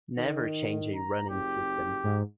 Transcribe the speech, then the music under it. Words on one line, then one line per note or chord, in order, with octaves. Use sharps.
Never change a running system.
D#3
A#5
F#1 G4
G#2